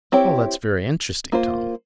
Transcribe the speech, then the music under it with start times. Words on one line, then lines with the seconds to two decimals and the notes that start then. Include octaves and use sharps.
"All that's very interesting, Tom."
0.12 C4 E4 G4 C#5
1.32 A#3 F4 C5